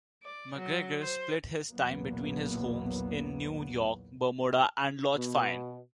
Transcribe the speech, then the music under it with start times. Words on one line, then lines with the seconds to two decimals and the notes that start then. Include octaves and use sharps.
MacGregor split his time between his homes in New York, Bermuda and Loch Fyne.
0.23 D5
0.58 F#3
1.00 C5
1.70 B1 E2 A#2 F#3 A#3 B3
5.14 B2